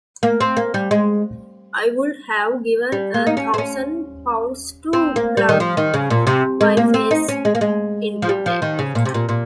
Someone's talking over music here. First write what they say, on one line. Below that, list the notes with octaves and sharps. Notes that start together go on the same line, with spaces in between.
I would have given a thousand pounds to plunge my face into that.
A#3
C4
A#3
G3
G#3
G3
A#3
D#4
C#4
C4
C#4
C4
A#3
G3
D#3
F3
D#3
C#3
A#2
C3
G#3
A#3
C4
D#4
C#4
G#3
A#3
G#3
F3
G3
F3
D#3
C#3
A#2
C3
A#2
A#2